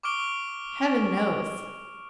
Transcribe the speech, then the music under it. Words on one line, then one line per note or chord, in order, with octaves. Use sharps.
"Heaven knows...."
C#6 D6 F6 D7 G7